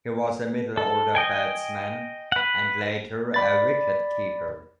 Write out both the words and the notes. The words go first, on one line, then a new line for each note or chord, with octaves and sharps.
He was a middle-order batsman, and later a wicket-keeper.
A4
D#5 G5 G#5
B4 F#5
D5 B5 A6